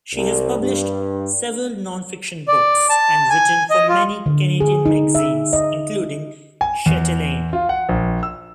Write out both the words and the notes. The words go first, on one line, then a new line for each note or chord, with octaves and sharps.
She has published several non-fiction books and written for many Canadian magazines including "Chatelaine".
C2
G2
D5
A5
G#5
D#5
F4
D3
G#4
D#4
E5
D#5
G#5
E2
F4
F#5
A#1
E6